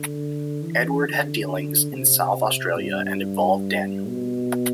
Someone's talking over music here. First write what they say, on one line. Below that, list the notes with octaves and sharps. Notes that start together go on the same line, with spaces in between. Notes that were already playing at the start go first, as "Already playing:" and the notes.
Edward had dealings in South Australia and involved Daniel.
Already playing: D3
E3
D3
C3
G2
B2